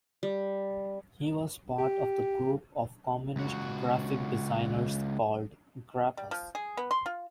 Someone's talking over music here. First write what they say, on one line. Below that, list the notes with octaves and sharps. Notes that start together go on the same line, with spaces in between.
He was part of the group of Communist graphic designers called Grapus.
G3
G4
C#2 F#4
G3
F3
G#4
B3
C6
F4